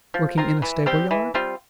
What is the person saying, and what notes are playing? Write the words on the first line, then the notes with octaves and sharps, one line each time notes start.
"Working in a stable-yard?"
F3
C4 F4 A#4
E3
G3 C4 G4
E3
G3 C4 F4